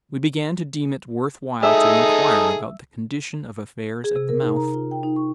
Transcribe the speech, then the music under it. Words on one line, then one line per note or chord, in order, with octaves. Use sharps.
We began to deem it worth while to inquire about the condition of affairs at the mouth.
D#4 G#4 A4 E5
G#4
C3
A#4
D#4
A#5
F4
G5
D#4
C#6